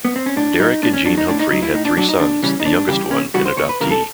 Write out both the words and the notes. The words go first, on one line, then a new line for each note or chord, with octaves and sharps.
Derek and Jean Humphry had three sons, the youngest one an adoptee.
B3
C4
C#4
A2 D4
F#3 D#4
A2 D4
C#4
F#3 D4
D#4
A2 D4
D#4
F#3 D#4
E4
A2 D#4
D4
F#3 D4
D#4
D#2 D4
C#3 E3 G3 C#4
D#4
D#2 D4
C#3 E3 G3 G4
D#2 C#4
C#3 E3 G3 F#4
C5
D#2 C#5
B4
C#3 E3 G3 A#4
A4